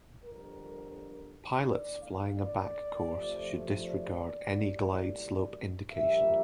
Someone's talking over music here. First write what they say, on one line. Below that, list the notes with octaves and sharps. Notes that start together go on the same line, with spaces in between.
Pilots flying a back course should disregard any glide slope indication.
G1 F2 D3 A#4
E2 D3 A3 D5
F5
D5
F2 C3 F3 A3
D5
C2 A#2 A3
A#1 A#2 G3 A#3 E5